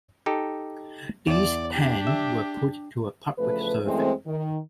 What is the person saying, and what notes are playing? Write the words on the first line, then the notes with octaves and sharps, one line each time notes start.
These ten were put to a public survey.
D#4 G4 A4
E2 D5
D4 G4
E5
E2 C#3 F3 A3 B4
F#2 E3 G#3 A3 C4
D#3